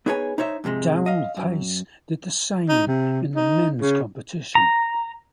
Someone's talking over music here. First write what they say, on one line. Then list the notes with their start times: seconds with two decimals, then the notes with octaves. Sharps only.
Darrell Pace did the same in the men's competition.
0.06 B3 D#4 G#4 B4 C#5 G#5
0.38 D#4 C5 C#5 E5
0.64 F2 G#2 C3 G#3
1.06 D#5 F5
1.37 F#2
2.69 D#4
2.87 C3
3.35 D#4
3.81 C#3
4.55 A#5